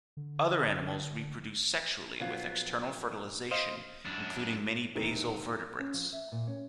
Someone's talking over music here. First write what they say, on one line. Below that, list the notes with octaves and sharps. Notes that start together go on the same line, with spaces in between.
Other animals reproduce sexually with external fertilization, including many basal vertebrates.
D3
A#1 F#3 B3 F4
C5 D#5 F5
F#2 D4
E1 C3 D#3 A#4
C#4
F3
E5
A#2
C#4